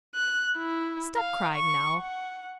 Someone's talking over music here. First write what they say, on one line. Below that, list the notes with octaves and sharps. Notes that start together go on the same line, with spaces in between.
Stop crying, now.
F#6
E4
F5
C#6
F#5